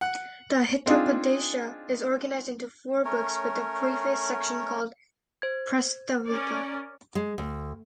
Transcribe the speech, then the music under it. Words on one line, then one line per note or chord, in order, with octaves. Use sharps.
The "Hitopadesha" is organized into four books, with a preface section called "Prastavika".
F#5
C4 D4 D#4 F4 G#4
A3 C#4 A#4 C#5
C5 G#6
C#4 A#4 D5
G#3
D2